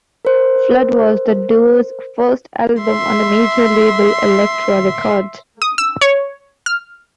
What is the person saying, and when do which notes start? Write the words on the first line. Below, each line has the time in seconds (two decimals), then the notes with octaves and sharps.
"Flood" was the duo's first album on the major label Elektra Records.
0.25 A#4 C5
2.82 E5 C6
5.62 D#6
5.78 E6
6.01 C#5
6.66 F6